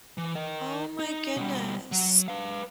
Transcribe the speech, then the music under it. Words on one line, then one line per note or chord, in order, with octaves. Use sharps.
Oh my goodness.
E3
A#4 D#5
D#4
B2 G3
F#3
B4 F5